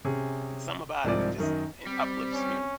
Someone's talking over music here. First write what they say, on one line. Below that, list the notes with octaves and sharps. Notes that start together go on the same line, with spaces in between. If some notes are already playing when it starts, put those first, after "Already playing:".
It's something about it, it just, eh, uplifts me.
C3 C#4 G#4
C2 G#2 F3 C4 D5
F#2 D#3 D#5
G3 C4
C#4